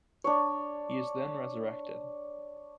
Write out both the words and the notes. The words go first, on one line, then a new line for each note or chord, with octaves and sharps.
He is then resurrected.
D4 C#5